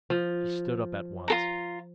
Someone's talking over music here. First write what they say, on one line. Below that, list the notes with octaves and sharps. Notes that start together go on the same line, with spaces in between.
He stood up at once.
F3
F4 A4 A#5